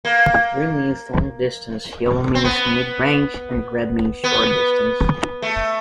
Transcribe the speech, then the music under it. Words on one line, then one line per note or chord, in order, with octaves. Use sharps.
Green means long distance, yellow means mid range and red means short distance.
A#3
C4
B3
B3
A3